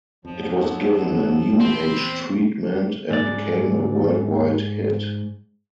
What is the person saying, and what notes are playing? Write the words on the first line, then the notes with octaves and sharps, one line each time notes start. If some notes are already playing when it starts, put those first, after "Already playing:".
It was given a New Age treatment and became a worldwide hit.
F2 G#2 F3 F#3
E2 A#2 C4 B5
G#2 D5